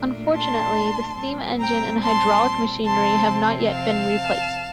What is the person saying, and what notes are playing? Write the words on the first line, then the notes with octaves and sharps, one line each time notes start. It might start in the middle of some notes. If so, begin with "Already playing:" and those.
Unfortunately, the steam engine and hydraulic machinery have not yet been replaced.
Already playing: A#2 A3 D4
A5 C6
A#2 G3 C4
G5 A#5
A5 C6
C3 F3 C4 A5 C6
F5 A5